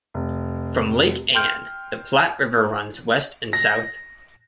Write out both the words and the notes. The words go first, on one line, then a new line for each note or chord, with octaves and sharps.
From Lake Ann, the Platte River runs west and south.
F1
G5 C6 F6 G6
A#6